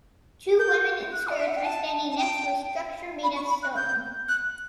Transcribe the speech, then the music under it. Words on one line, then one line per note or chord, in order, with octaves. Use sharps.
Two women in skirts are standing next to a structure made of stone.
G6
F#6
D5
E5
F#5
G5
A5
A5
G5
B5
C#6
B5
F#6
G6
F#6